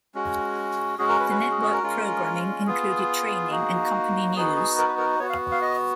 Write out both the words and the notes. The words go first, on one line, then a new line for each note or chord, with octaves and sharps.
The network programming included training and company news.
G#3 C#4 F#4
G#3 C#4 F#4 G#4
A#4
B4
B4
G#4
G#4
A#4
G#3 C#4 F4
B3 F4 G#4
A#3 D#4 F#4
B3 D#4 F#4 G#4
G#4
A#4
B4
A#4
B3 F#4 C#5
F5
F5
D#5